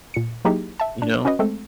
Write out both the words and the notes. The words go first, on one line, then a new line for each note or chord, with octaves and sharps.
you know?
A#2 C#7
F#3 A#3 D#4 E4 G4 G#4
E5 A5
D4
C#4 F#4 B4 D#5
G#3 A3 C4 A4